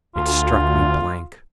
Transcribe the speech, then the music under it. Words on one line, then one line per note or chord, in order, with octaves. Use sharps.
It struck me blank.
D2 F4